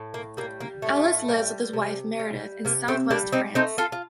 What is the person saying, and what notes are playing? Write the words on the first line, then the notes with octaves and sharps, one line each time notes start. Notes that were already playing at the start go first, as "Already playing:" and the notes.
Ellis lives with his wife Meredith in southwest France.
Already playing: A2
A#3
G3 A#3
A#3
A2 A3
G3
C3
G3
C3 A#3
A3 C4
G3 A#3 D4
C4 D#4
A3 C4 D#4
F4 A4
F4